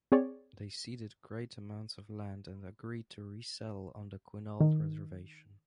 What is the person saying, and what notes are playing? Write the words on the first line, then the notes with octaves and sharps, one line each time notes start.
They ceded great amounts of land and agreed to resettle on the Quinault reservation.
C4 G#4 C#5 D5
D#3